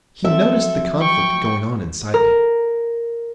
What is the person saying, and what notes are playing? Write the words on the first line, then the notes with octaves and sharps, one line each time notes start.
He noticed the conflict going on inside me.
F3 F#3 C4 A4 E5
G5 C#6
A#4